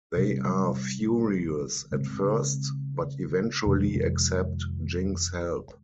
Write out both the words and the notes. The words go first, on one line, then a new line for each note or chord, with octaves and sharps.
They are furious at first, but eventually accept Jing's help.
C3 G3 C#4
C#3 G#3 C4
F2 C3 D#3 G#3